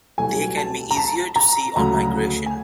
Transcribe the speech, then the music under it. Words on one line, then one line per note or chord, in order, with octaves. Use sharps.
They can be easier to see on migration.
C2 B2 F#3 A3 G#5
A5
A#5
A5
A#5
D2 C#3 F#3 A3 A#5
G#5